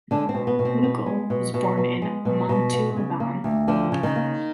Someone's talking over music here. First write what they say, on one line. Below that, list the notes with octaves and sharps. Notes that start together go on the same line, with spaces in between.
Lugol was born in Montauban.
D3 G#3 D4
C4
B2
B3
B2
C4
B3
G#3
B2
B2
B3
G#3
B2
B2
B3
C#3
A#3
D2
D3 F3 D4
C#3
D#3 D#4
A#3